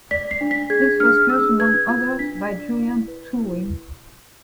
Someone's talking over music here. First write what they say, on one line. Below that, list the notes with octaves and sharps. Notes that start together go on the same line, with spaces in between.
This was used among others by Julian Tuwim.
D5 B6
C7
D4
B6
G#4 G#6
D4 F6
G#4 E6
B4 G#6
F4 G#6
D4 B6
D5
E4
B4
E4